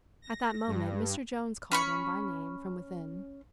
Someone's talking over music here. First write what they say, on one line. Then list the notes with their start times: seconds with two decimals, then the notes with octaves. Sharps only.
At that moment Mr. Jones called him by name from within.
0.22 A#6
0.67 G2
1.72 C#4 B5 C#6